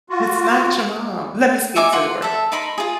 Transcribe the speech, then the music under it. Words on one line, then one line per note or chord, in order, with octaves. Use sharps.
It's not your mom. Let me speak to her.
F4 F#4
D#4 E5 G#5 D6
F4 F#5 C6
A4 E5
D#4 A#4 B5 C6
F4 G#4